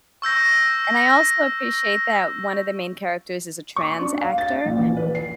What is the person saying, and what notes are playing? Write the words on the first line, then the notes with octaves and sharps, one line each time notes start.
And, I also appreciate that one of the main characters is a trans actor,
C#6 E6 G6 A#6
C#6
D4
F5
A6
A#1
E3
B4
C7